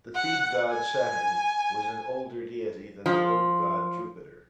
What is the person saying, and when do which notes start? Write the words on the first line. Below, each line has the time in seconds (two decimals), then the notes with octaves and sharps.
The seed-god Saturn was an older deity than the oak-god Jupiter.
0.14 F#5
0.70 G#5
3.06 F3